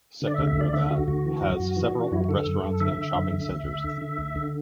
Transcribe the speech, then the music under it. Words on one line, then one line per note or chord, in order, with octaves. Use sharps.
Secunderabad has several restaurants and shopping centres.
D3
D5
E5
D2
E5
D2 D5
D3 E5
D3 F#4
D2 F#4
E3
F#2
F#2
E3
E3
D4
F#2 E4
F#4
D3 A4
F#2
F#2
D3 E5
D3
F#2
D3
D2
D2
D3
D3
D2
D3